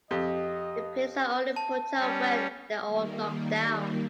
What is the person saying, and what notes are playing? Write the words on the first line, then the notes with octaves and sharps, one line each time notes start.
The pins are only put up when they are all knocked down.
F2 G4 D#5
A5
G3 C#4
D#3 G3 A#3